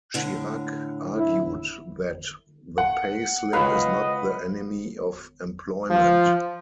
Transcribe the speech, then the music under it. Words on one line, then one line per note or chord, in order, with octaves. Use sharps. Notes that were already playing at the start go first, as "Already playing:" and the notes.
Chirac argued that "the pay slip is not the enemy of employment".
A2 D3
E4
F#5
C#2 B4 C#5 D#5 F5
F3